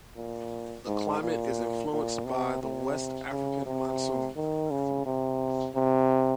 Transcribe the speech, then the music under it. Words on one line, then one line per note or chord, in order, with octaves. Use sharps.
The climate is influenced by the West African Monsoon.
A#2
G#2
A#2
A#2
C3
C3
C#3
C3
D#3
C#3
C3
C3